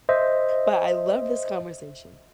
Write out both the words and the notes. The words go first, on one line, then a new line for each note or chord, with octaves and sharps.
but I love this conversation.
C5 D#5 E5